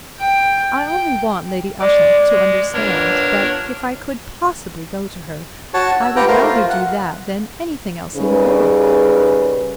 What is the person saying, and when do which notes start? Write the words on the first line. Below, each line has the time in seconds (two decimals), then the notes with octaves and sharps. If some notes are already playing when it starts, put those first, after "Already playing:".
I only want Lady Ushant to understand that if I could possibly go to her I would rather do that than anything else in the world.
0.20 G5
0.85 G5
1.81 G#3 D5
2.29 G#3
2.74 B3 D4 F4 A#4 C#5
5.74 F#4 C#5 A5
6.02 E6
6.16 F4 G4 B4 F#5 G5 A#5
6.28 A3 A#4 C5
6.44 F4
6.69 F#5
8.16 C#3 G3 D#4 G#4 A#4 B4